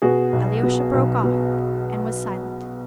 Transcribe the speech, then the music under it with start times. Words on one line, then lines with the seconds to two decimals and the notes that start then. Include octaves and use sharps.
Alyosha broke off and was silent.
0.02 B2 F#4 G#4
0.33 B1
0.63 B2
0.93 B1
1.23 B2